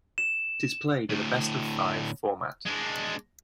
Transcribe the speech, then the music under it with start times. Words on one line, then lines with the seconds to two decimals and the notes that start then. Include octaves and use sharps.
It is played in a best-of-five format.
0.18 E7
1.10 D2 A2
2.66 G#3 D4